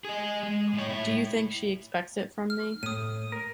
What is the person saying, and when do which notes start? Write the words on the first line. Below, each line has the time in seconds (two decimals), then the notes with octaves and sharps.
Do you think she expects it from me?
0.05 G#4 D#5
0.43 G#3
0.74 A2 C#5
0.89 A2 E4
2.50 F6
2.83 A2 D#6 D#7
3.32 A#4